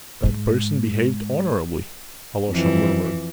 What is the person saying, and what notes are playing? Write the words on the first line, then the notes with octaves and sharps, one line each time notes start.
"That person behaved honorably," Alyosha murmured.
G#2 G#3
F2 E3